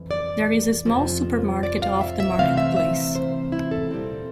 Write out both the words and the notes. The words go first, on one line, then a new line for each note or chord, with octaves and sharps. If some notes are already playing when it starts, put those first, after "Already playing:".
There is a small supermarket off the Market Place.
Already playing: F2 E3
D5
F2 C3 F3
D5
F5
E5
E5
C3 E3 A3 C4 F5
E5
E5
C5
E4
A4
A#2 G3 C4